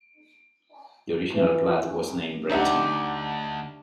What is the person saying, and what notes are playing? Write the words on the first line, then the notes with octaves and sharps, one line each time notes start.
The original plat was named Brenton.
E3
D2 D4 D#4 G4 E5 F#5